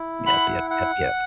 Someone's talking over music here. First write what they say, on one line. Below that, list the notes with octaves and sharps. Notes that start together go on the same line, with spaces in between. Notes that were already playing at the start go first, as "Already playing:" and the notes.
Yep, yep, yep, yep.
Already playing: E4
F#5 B5
F#5